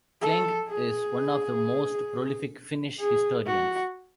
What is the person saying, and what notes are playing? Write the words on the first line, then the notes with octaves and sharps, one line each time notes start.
Klinge is one of the most prolific Finnish historians.
A4
G#4
G#4
F#4